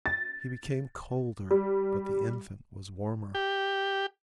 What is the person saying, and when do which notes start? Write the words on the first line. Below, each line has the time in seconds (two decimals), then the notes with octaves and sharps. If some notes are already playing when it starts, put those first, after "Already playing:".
He became colder, but the infant was warmer.
0.06 A6
1.51 G3
3.35 G4